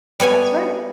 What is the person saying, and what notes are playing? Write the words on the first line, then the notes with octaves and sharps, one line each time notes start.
That's right.
G3 B3 C#5 G#5